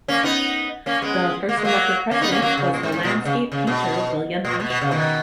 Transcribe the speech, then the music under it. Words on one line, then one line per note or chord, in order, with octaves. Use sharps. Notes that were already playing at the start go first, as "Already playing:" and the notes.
The first elected president was the landscape painter, William Ashford.
A#3 C#4
B3 D#4
A#3 C#4
G#3 B3
A#3
G#3
F#3 A#3
A#3 C#4
B3 D#4
A#3 C#4
F#3 A#3
C#3
A#2
G#2
G#2
A#2
B2
C#3
C#3
B2
A#2
B2
B2
C#3
B2 D#3